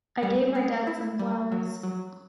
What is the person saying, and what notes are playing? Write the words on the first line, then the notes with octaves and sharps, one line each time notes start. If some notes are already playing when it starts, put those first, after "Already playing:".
I gave my dad some flowers.
G3
B3
E4
G3
F#3
F#3